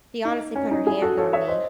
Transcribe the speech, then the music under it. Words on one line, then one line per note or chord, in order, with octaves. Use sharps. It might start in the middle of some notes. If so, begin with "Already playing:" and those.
She honestly put her hands on me.
D#4
C#4
D#4
E4 G#4
F#4 A4
A4 C#5
C#5 E5
C5 D#5